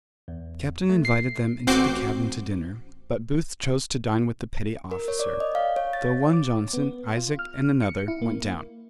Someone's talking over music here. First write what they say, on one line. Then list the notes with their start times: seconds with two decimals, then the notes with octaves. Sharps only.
The captain invited them into the cabin to dinner, but Booth chose to dine with the petty officer, though one Johnson, Isaac and another, went down.
0.28 E2
0.90 A3
1.05 C7
1.67 A1 C4 F#4 D6 G6 C7
4.91 A#4
5.08 C#5
5.20 D5
5.40 D#5
5.55 F5
5.76 C#5
5.93 A6
6.33 D6
6.73 B3
7.17 F4
7.39 F6
7.82 C#7
8.08 E4
8.22 A#3